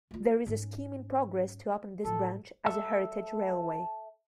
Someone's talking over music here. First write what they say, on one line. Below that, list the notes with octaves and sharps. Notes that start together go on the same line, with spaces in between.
There is a scheme in progress to open this branch as a heritage railway.
A3 F4
G#2 C#4
A2 F#3 A4
A4 E5